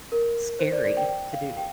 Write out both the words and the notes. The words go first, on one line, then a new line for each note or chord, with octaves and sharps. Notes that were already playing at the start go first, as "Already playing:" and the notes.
scary to do,
A#4
C5
D5
D5
G5
G5
F5
G5